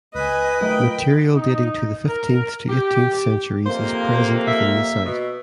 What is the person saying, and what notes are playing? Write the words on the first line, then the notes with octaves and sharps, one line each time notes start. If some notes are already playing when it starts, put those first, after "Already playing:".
Material dating to the fifteenth to eighteenth centuries is present within the site.
C#2 B4 D#5 G#5
D#3 F#3 A3 F4 A#4 D#5 G5 B5
D#4
A#4
G4
F2 C3 A#3 C5
E5
B2